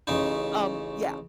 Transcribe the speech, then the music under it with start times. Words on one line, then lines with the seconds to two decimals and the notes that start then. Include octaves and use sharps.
um Yeah,
0.07 A1 C#3 D#4